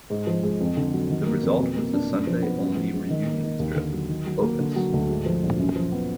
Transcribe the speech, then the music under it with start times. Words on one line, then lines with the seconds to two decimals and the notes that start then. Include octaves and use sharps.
The result was the Sunday-only reunion strip, "Opus".
0.10 G#2
0.27 F3
0.43 G#3
0.61 F2
0.77 D3
0.94 F#3
1.10 D#3
1.26 A#3
1.43 F2
1.60 B2
1.76 A#3
1.93 D4
2.10 F#2
2.27 F3
2.43 B3
2.60 F#2
2.77 F3
2.92 G#3
3.10 D#3
3.26 A#3
3.43 D#4
3.59 D#2
3.76 D3
3.93 F#3
4.09 D#3
4.26 F#3
4.42 A#3
4.60 D3
4.76 F#3
4.93 D2
5.09 G#2
5.26 F3
5.43 A#1
5.59 F#2
5.76 F3
5.92 B3